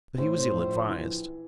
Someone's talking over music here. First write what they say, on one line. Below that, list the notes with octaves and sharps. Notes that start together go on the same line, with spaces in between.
But he was ill-advised.
A2 C5
A#1
E3